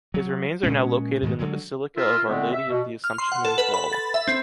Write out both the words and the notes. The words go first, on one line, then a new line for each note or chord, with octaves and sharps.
His remains are now located in the Basilica of Our Lady of the Assumption in Zwolle.
F#3
A#2 G#3 C#4
G#2 D#3 G#3 A3
D3 F#3 G#3
F4 A#4 E5
A#2 D3 G#3 A3 B3 C4
E5
B2
F6
C6
F#5
A4
B4
B5
A6
E5
C4